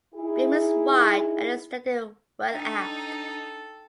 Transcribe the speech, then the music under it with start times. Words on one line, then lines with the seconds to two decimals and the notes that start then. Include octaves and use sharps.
Beam is wide and is extended well aft.
0.15 D#4 E4 G#4
2.53 D4 D#4 A4 G5